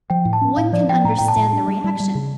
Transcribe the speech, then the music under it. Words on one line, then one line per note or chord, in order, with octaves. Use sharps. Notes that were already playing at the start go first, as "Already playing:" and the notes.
One can understand the reaction.
F3 G5
A2
A5
C#4
A2 F5
F3 D5
F3 G5
A2 A#5
A2 G5
A5
A2
D4
G3
G3
G3
C#3